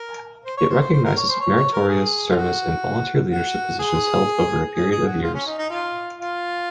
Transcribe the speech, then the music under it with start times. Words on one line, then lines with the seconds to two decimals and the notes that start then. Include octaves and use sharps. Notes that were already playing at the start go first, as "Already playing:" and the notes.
It recognizes meritorious service in volunteer leadership positions held over a period of years.
Already playing: A#4
0.45 C5
0.57 C#5
0.69 C5
0.81 C5
0.93 C5
1.04 A#4
1.17 C#5
1.28 C5
1.41 C#5
1.56 C#5
1.73 A#4
1.88 G#4
2.30 F4
2.36 F#4
3.32 F#4
3.79 G#4
4.75 G#4
4.91 G#4
5.07 F#4
5.23 F4
5.34 C#4
5.46 D#4
5.58 D#4
5.70 F4
6.18 F4